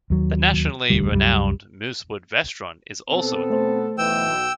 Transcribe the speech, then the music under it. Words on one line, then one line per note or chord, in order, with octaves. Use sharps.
The nationally renowned Moosewood Restaurant is also in the mall.
D#2 F#3
E1 D2 G3
C2 F#2 G3
B2 B3 C4 A4
A3 C5
B1 B2 E3 G5 E6